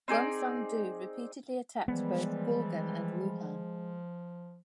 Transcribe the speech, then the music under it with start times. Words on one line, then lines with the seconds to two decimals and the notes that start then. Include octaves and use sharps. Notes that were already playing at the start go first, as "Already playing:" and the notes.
Gongsun Du repeatedly attacked both Goguryeo and Wuhuan.
0.08 C4 D#4 G#4 D5
1.88 E3 F3 G3 G#3 B3